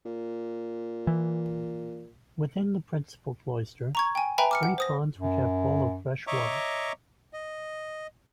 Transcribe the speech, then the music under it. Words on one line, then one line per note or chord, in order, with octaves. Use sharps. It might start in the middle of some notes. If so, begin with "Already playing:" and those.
Within the principal cloister, three ponds were kept full of fresh water.
A#2
E3
A#5 C#6 G#6
G5 G#5
B4 E5 G5 G#5 A#5 B5
D6 F6 C#7
F#5
C5 D#6 A#6
F#2
C#5 D#5 E5 A#5 C#6 D6
D#5